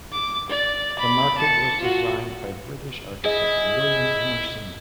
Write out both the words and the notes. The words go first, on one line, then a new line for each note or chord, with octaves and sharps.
The market was designed by British architect William Emerson.
D6
D5
B5 D6
A5 C#7
F4 F#4
E4 G#4 D#5